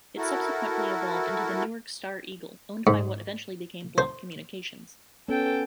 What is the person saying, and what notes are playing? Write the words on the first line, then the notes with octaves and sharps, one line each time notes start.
It subsequently evolved into the "Newark Star-Eagle", owned by what eventually became Block Communications.
E4 F#4 A4 A#4
G#2
C5
B3 C#4 A4 G5